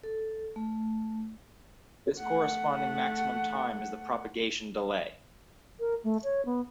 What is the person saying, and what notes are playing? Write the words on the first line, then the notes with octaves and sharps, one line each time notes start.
This corresponding maximum time is the propagation delay.
A4
A3
A3 F#5
A#4
A3
C#5
B3